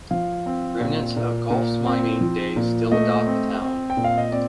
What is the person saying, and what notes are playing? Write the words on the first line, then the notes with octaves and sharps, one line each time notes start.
Remnants of Goffs's mining days still dot the town.
F3 F5
C4
A#2
A#2
A#2
C4
F3
A#2
A3 D#5
C4
C4
G5
A#2
F5
D#5
C4 D5